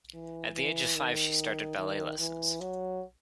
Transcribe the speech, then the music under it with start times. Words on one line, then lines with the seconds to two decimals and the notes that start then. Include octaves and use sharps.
At the age of five she started ballet lessons.
0.14 E3
0.54 E3
0.95 D#3
1.78 D#3
2.19 E3
2.60 F#3